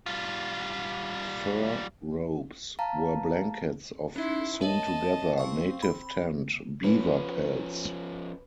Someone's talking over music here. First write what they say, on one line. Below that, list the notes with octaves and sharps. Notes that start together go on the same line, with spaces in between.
Fur robes were blankets of sewn-together, native-tanned, beaver pelts.
G3 F4
F5 A5 A#5
C#4 D#4 E4 C6
A#4 C#5 D#5 E5 A5
C4 F5 C#6
B5
F3 C#4 B4